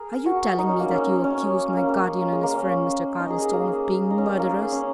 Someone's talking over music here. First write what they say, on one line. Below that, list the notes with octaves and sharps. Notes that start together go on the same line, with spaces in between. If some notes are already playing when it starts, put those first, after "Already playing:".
"Are you telling me that you accuse my guardian and his friend, Mr. Cardlestone. of being--murderers?"
Already playing: G#4 A#4
F#4
D#4
C#4
A#3
C#4
C#4
A#3
C#4
A#3
G#3
A#3
C#4
D#4
G#4
G#4
A#3
D#4
C#4
A#3
A#3
G#4
G#4
C#4